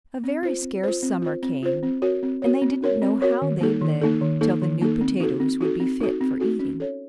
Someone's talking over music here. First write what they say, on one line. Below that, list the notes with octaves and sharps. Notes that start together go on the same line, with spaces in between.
A very scarce summer came, and they didn't know how they'd live till the new potatoes would be fit for eating.
C4
F4 C5
C4
F4 C5
C4
F4 C5
C4
F4 C5
C4
F#4 A#4 C#5
C4
F#4 A#4 C#5
C4
F#4 A#4 C#5
C4
F#4 A#4 C#5
D#3
A#3 D#4 A4
D#3
A#3 D#4 A4
D#3
A#3 D#4 A4
D#3
A#3 D#4 A4
C4
D#4 F#4 A4
C4
D#4 F#4 A4
C4
D#4 F#4 A4
C4
D#4 F#4 A4
C#4
A4 C#5